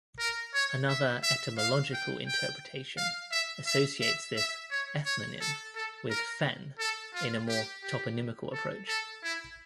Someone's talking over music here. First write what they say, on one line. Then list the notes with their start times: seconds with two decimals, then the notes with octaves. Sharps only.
Another etymological interpretation associates this ethnonym with "fen" in a more toponymical approach.
0.18 A#4
0.54 C#5
0.88 E5
1.23 E5
1.58 F5
1.93 G5
2.27 G5
2.97 F5
3.31 E5
3.66 E5
4.01 E5
4.36 E5
4.70 C#5
5.05 C#5
5.40 A4
5.75 A4
6.10 A#4
6.79 A4
7.14 F4
7.49 G4
7.83 G4
8.53 A4
8.88 A4
9.23 E4